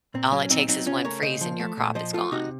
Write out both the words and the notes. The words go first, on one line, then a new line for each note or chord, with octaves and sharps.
all it takes is one freeze, and your crop is gone.
A#2 C4
F#3 C#4
A#2 C4 D#4
F#3 C4 D#4
C#3 C#4 F4
A3 A#4 C#5
C#3 C5 D#5
F3
A3
A#2
F3 C5 D#5
A3 F4 A4
C3 D#4 F#4